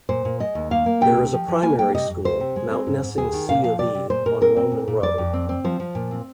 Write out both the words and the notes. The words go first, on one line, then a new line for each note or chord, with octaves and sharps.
There is a primary school, Mountnessing C of E, on Roman Road.
A#2 C5
A#2
G#3 D#5
D#2
A#3 F5
A#3
C3 G5
D2
F3
F3
A#3 G#5
G3 G5
C3 D#5
F2
D2 C5
C3
G#3
C4
G#2
G#2
D#2 G#4
D#3
A#2 F5
F3 F5
C3 D5
C3
A#2 C5
A#2 A#4
C4 A#4
C4
A#2
A#2
F2 D5
F2
C4
C4
F3 C5
F3
A#2
C4